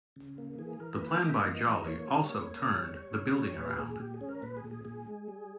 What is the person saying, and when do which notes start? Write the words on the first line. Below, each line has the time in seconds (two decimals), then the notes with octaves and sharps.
The plan by Joly also turned the building around.
0.16 C#3
0.38 A#3
0.59 E3 G#4
0.80 E3 A#4
1.01 A#3 B4
1.16 G5
1.23 A#3 D#5
1.29 E5
1.44 E3 D#5
1.65 E3 D#5
1.86 A#3 C#5
2.08 G3
2.29 A#3
2.51 A#3
2.71 G3
2.93 G3
3.15 C#3
3.36 G3
3.57 A#2 B4
3.69 G4
3.79 A#2 G#4
4.00 A#2 G4
4.14 G#4
4.21 C#4
4.29 A#4
4.42 A#2 B4
4.57 G#4
4.64 A#2
4.71 G#4
4.85 A#2 G#4
5.07 G#3
5.28 G3